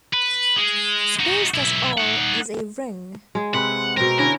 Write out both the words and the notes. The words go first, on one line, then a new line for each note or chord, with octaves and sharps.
Suppose that "R" is a ring.
B4
G#3
D#4 F#4
B1 E4
D#4 F#5
G#3 G#4
C3 C4 B4 F#5
B2 C4 A#4
D3 C#4 E4 A#4